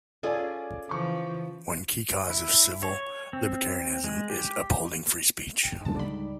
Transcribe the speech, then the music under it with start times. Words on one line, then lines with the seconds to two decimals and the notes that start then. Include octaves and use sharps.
One key cause of civil libertarianism is upholding free speech.
0.23 C#4 F4 G#4 A4 D5 G#5
0.89 C#3 E3 F3 C#6 D6
2.30 E4
2.83 C#5
3.33 C4
4.04 G#3
4.30 G4
5.63 G5
5.81 G#2 G#3 A5
5.95 C#2 D3 G3 D#4 D5 B5 D6